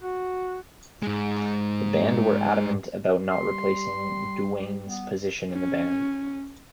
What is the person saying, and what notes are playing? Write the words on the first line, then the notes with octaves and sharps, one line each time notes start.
The band were adamant about not replacing Duane's position in the band.
F#4
G#2 G#3
G3 C6
B3
C#4